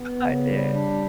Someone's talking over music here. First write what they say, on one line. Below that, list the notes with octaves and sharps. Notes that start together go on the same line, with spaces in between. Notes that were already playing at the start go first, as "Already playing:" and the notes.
I yeah.
Already playing: B3
C#3
G3
D4